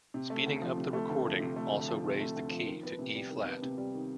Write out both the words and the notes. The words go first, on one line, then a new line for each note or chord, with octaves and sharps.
Speeding up the recording also raised the key to E-flat.
C3
A3
D2
F3
C3
A3
D2
F3
C3
A3
D2
F3
C3
A3
D2
F3
D#3
B3
C3
G3
D#3
B3
C3
G3
D#3